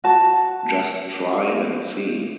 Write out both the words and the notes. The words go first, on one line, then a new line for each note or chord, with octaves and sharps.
Just try and see.
F#4 A5